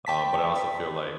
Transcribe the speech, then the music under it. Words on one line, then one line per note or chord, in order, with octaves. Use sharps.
Um, but I also feel like
G5 A5 B6